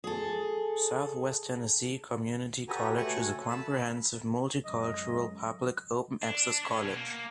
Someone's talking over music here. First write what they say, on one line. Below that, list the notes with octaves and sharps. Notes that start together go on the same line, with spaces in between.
Southwest Tennessee Community College is a comprehensive, multicultural, public, open-access college.
G#4 A4
F#4 G4 A4 B4 G#5 A#5
A3 F#4 C#5 F#5 G#5 C#6
A4
A5 B5 E6
F#2 G#3 D#5
D4
C#4
B2
A#3